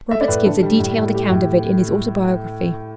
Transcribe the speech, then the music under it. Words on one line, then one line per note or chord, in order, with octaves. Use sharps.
Roberts gives a detailed account of it in his autobiography.
A3 E5
D5
A2 B4
D3 A4
G3
A2
A2
A3 G4
A2